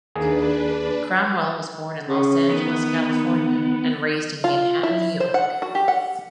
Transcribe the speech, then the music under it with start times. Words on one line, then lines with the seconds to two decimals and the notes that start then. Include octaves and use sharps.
Cromwell was born in Los Angeles, California, and raised in Manhattan, New York.
0.16 D#2 A#3 D4 G#4 B4
2.09 C#3
2.51 D#3 B3
4.44 F4
4.83 E4
5.20 C5
5.34 F#5
5.62 F#4
5.75 G4
5.88 F#5